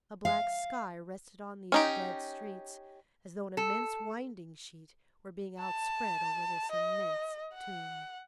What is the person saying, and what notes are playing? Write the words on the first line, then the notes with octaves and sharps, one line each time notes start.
A black sky rested on these dead streets, as though an immense winding-sheet were being outspread over this immense tomb.
F5
C#4 D#4 G4
A4
A5
D#5
F#5